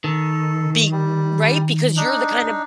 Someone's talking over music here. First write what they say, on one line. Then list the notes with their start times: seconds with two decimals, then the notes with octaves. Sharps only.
be Right? Because you're the kind of
0.04 D#3 A4
0.92 G3
1.96 D4 D#4